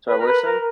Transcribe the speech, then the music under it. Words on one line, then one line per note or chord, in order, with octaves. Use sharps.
Sorry, what were you saying?
B4
A#4
B4
A#4